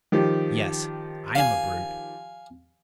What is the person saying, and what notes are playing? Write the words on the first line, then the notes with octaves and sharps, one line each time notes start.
Yes, I am a brute.
D#3 F3 G4
F5 G#5